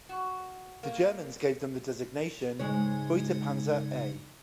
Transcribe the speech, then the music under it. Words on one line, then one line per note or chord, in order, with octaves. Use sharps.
The Germans gave them the designation "Beutepanzer A".
F#4
A#3
G#2 C#3 G#3 D#4 C#5